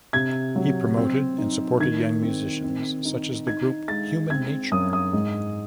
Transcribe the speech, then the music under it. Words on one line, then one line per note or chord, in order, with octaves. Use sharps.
He promoted and supported young musicians, such as the group Human Nature.
C3 G#6
F#3
C4
D#4
D#3 G#6
C4
C4
D#4
D#4 G#6
G#3 A6
C4 G#6
F#2 D#6
D#6
G#2